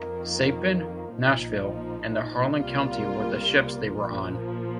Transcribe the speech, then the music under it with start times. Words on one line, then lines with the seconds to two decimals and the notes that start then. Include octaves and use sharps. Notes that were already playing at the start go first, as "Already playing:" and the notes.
Saipan, Nashville, and the Harland County were the ships they were on.
Already playing: F2 D#3 A#3
1.16 A#1 A#2 F3 D#4
2.54 C2 C3 G3 A#3 F4
3.92 A#1 A#2 F3 A#3